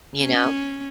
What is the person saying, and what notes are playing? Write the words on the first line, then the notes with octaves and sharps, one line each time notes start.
You know?
C#4